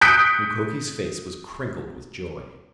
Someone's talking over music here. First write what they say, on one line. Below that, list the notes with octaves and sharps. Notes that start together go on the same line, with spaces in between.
Mukoki's face was crinkled with joy.
D#6 F#6 G6 B6 C#7 D7